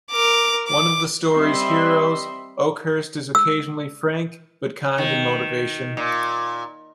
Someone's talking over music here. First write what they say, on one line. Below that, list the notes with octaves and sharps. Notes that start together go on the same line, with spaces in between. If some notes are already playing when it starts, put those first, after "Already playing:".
One of the story's heroes, Oakhurst is occasionally frank but kind in motivation.
A#4 D6
D6
G3 C4 D#5 E5 B5 C6
E6
D#3
A#2